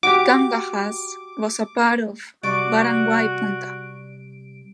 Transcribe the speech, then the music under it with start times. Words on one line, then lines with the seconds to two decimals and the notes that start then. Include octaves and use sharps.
Kanghagas was a part of barangay Punta.
0.03 F#4 G4 D6
2.43 C3 G3 F#4 D5 C#6 D6 D7